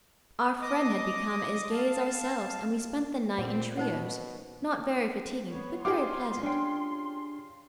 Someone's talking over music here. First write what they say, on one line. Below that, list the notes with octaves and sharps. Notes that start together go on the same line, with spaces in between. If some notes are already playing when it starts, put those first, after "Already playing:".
Our friend had become as gay as ourselves, and we spent the night in trios, not very fatiguing, but very pleasant.
D#5 D6 D#6
F5 A5
A#2 C4 F#5
B2 D#4 C5 F#5
B3 C#5
D#4 F4 G4 G#4 G5 C6 D6
C#4 D4 G5